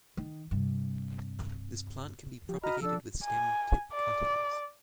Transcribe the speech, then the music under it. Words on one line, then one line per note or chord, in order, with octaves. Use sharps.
This plant can be propagated with stem tip cuttings.
D#3
G2 C3
F3 G4
F#4 D#5 A#5 B5 F6
F3 D4 A4 E6
G#5
D5